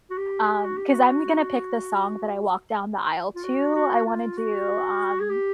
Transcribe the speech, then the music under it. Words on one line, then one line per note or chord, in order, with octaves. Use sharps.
Um, 'cause I'm gonna pick the song that I walk down the aisle to. I wanna do, um
F#4
G4
F#4
G4
F#4
F4
F#4
F#4
F4
F#4
G#4
G4